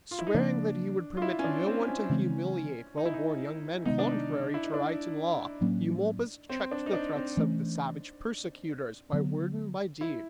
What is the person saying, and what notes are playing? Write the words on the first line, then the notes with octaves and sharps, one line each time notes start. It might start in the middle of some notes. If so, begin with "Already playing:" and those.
Swearing that he would permit no one to humiliate well-born young men contrary to right and law, Eumolpus checked the threats of the savage persecutors by word and by deed.
F4
E4
D#4
C#3 F3 A#3 D4
F4
E4
C#4
D4
C4
C#4
C#3 E3 G#3 C4
D#4
E4
D#4
C3 D#3 G#3 B3 D#4
D4
D#4
E4
D#4
D4
A2 F#3 A#3 C#4
C4
D4
D#4
D4
C4
E3 A3 C#4
D3 F#3 B3
E4